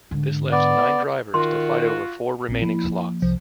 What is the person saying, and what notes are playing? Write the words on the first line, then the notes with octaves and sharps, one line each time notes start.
This left nine drivers to fight over four remaining slots.
G#2 D3
B3 D5
D#3 F4 F#4 C6
A#1 C4
F3 A#3 E4
C2 F3